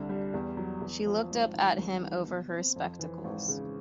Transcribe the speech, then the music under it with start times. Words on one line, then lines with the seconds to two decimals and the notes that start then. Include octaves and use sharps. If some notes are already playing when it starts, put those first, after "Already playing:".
She looked up at him over her spectacles.
Already playing: C2 D3
0.09 G3
0.34 E2
0.57 F#3
0.82 E2
1.06 F3
1.31 G#1
1.55 D#3
1.78 C2
2.03 E3
2.27 B2
2.52 C4
2.76 F2
2.99 E3
3.24 G#1
3.48 C#3